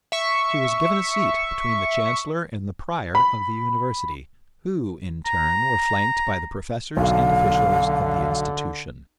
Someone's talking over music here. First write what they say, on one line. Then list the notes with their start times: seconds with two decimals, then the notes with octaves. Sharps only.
She was given a seat between the chancellor and the prior of the university, who, in turn, were flanked by the professors and officials of the institution.
0.12 E5 C#6
3.15 B5
5.26 A#5
6.97 B1 D3 F5